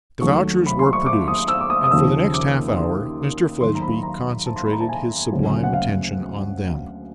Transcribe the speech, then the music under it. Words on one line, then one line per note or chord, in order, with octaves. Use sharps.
The vouchers were produced, and for the next half-hour Mr Fledgeby concentrated his sublime attention on them.
D#2 D#3 F#3 A3 C#6
B5
C6
C#6
D6
D#6
E6
D6
D#6
D#6
D#2 C#3 F3 A#3 E6
D6
C6
D#2 D#3 F#3 C6
A#5
B5
A#5
A5
C6
B5
A#5
A5
G#5
D2 C#3 F#3 B3
F#5
F5